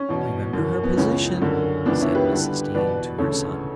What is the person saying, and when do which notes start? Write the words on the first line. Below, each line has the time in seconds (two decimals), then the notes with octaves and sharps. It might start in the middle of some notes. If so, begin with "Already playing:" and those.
"Remember her position," said Mrs. Dean to her son.
Already playing: C#4
0.09 E2 B2
0.53 F#2 E3
0.83 B3
0.97 C#2 C#3 E3 C#4
1.42 F#2 D3
1.85 C#2 C#3 E3 B3 D4
2.01 C#4 E4
2.15 G4 B4
2.30 G2 D3
2.74 E2 B2 B4 D5
3.18 D2 C#3 E3 A4 C#5